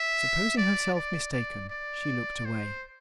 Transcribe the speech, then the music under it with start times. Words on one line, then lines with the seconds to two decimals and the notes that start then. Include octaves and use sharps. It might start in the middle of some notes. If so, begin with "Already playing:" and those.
Supposing herself mistaken, she looked away.
Already playing: E5
0.57 D5
0.94 D5
1.32 D5
1.70 D5
2.45 C5